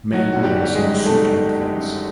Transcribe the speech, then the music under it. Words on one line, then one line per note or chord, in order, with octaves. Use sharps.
Men dress in suit outfits.
D#3 F#3 F#4
G1 F#4
G3 G4
G1
G#3 G#4
F#2
G#4
D#3 A3 A4
G1
G1
F#2